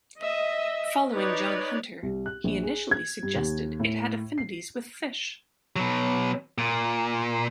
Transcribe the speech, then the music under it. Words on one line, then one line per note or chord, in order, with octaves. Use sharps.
Following John Hunter, he initially suggested it had affinities with fish.
D#5 E5
D#4 B4 C#5 D5
C2
F#6
A#1
G#4
G#6
G2
D#2
A2
C7
B2 F#3
A#2